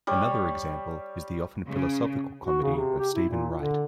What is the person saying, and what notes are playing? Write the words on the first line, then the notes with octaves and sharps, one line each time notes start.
Another example is the often-philosophical comedy of Steven Wright.
G3 C#5
C#3
F#4
C#3
C3
G4
E4
A#2
D3